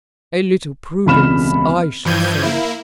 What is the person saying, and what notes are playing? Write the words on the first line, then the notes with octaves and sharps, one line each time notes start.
"A little prudence I should say."
E1 C#2 C3 B5 F6 E7
G2 E3 F3 G6 G#6 D#7
A#3 E4